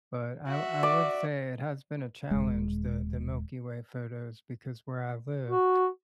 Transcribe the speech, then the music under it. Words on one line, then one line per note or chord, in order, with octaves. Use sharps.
but I w I would say it has been a challenge- the the Milky Way photos, because where I live,
F#4 E5
D5
D#1 G#3
F#4